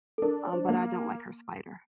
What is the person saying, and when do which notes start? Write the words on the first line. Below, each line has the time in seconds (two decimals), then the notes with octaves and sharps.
um, but I don't like her spider.
0.18 A4
0.22 D4 A#4
0.47 C#5
0.53 C5
0.69 A#3